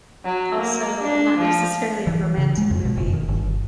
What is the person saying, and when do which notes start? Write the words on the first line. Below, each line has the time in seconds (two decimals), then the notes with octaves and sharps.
also not necessarily a romantic movie.
0.25 F#3
0.58 A#3
1.01 D4
1.39 F3
2.07 E3
2.38 C#3
2.58 G#3
2.71 F2
2.85 B2
2.97 F#1
3.14 D#3
3.29 G1